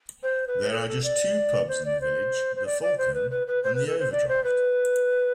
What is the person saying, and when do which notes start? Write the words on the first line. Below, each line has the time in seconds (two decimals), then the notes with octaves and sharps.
There are just two pubs in the village: "The Falcon" and "The Overdraught".
0.23 C5
0.47 B4
0.71 A4
0.88 A4
1.04 D5
1.68 C5
1.85 D5
2.01 C5
2.56 C5
2.66 D5
2.82 D5
2.98 C5
3.14 B4
3.31 B4
3.47 B4
3.64 C5
3.75 B4
3.87 A4
4.00 C5
4.12 D5
4.29 C5
4.44 B4